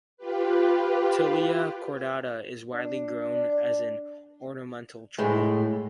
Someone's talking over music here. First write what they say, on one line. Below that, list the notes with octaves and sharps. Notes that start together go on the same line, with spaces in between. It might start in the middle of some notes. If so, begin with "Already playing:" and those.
"Tilia cordata" is widely grown as an ornamental tree.
F4 G4 B4
D4
A2 G#3